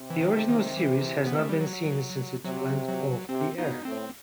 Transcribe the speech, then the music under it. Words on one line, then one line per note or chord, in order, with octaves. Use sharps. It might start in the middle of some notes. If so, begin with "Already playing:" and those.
The original series has not been seen since it went off the air.
Already playing: C3
E3
D#3
D#3
E3
B3
A3
G3
F#3
C3 F#3
F#3
C3 C4
B2 D#4
A2 C4